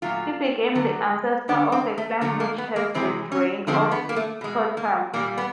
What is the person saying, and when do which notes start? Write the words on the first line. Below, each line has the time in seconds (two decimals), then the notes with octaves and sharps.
He became the ancestor of a clan which has the rain for its totem.
0.02 A#2 F#3 A3 F4
0.75 D3 F#3 A3
1.48 D3 G3 D4
1.72 C4
1.98 A3
2.21 D3 F#3 A3 A#3
2.40 A#3
2.58 B3
2.76 A#3
2.94 C3 E3 G#3 C4
3.32 C#4
3.67 D3 F3 G#3 C4
3.92 B3
4.09 A#3
4.16 A3
4.41 B2 G#3
4.77 A#3
5.13 A#2 G3 A#3
5.38 B3